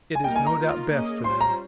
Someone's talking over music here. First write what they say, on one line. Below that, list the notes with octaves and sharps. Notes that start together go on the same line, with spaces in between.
It is no doubt best for them.
G#5
G3 A#3 D#4 A#4 G5
G#5
A#5
D#3 A#3 F4
A#3 C#4 G#4 D#5
G3 C#4 F4 C5 C6
A#5